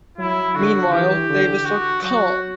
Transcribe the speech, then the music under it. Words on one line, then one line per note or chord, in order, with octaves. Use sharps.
Meanwhile, Davis looked calm.
F#3 E4
D3 F#4
E3 G4
D3
F#4
F#3 F#4